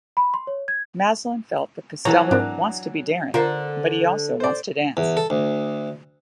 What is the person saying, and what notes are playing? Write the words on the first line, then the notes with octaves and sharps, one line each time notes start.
Maslin felt that Costello "wants to be daring, but he also wants to dance".
B5
C6
C#5
G#6
E3 F#3 A4 C#5 A#5
G#2 C4 D4 A#4
D3 F4 A#4 C5
C5 D5
E2
A4
D2